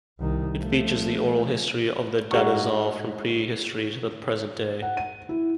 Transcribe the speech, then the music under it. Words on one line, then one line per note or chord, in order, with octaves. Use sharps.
It features the oral history of the Dane-zaa from pre-history to the present day.
C2 D#3
F3 A3
G#2 F#4 G#4 C#6
F#5
D#7
E4